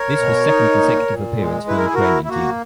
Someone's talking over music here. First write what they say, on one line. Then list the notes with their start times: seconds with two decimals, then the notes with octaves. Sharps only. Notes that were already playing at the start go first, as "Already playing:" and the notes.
This was second consecutive appearance for Ukrainian team.
Already playing: A#4 C#5
0.18 B2
0.48 D#4
0.78 A#2
1.08 A#2
1.38 G#3
1.68 E4 B4
1.77 A#4
1.86 G#4
1.94 E4 F#4 A#4
2.24 E4
2.29 A#3 F#4